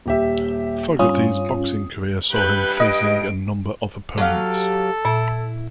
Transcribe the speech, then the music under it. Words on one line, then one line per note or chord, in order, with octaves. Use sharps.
Fogerty's boxing career saw him facing a number of opponents.
D#1 G4 E5
G2 C#4 F4 D#6
G2 B4 F#6 G6
D#5 D7
F#3 G4 A4 F5
A#2 E4